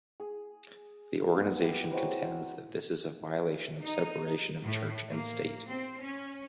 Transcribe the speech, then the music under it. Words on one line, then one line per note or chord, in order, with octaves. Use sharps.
The organization contends that this is a violation of separation of church and state.
G#4
A#3 B3
E4 G4
F#3 G#3 C4 B4
D#4
A2
A#3
C4
C#4